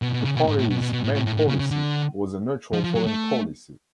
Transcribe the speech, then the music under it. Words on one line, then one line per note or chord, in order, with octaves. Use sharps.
The party's main policy was a neutral foreign policy.
B2
B2
C#3
B2
G#2
A2
B2
B2
B2
A2
A2
A2
A2
C#3
C#3
D3
F3
F3
F#3
A3